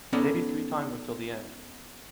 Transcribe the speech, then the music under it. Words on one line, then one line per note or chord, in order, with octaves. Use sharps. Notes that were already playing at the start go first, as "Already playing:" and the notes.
Maybe three times until the end.
B3 C#4 D#4 A4 D5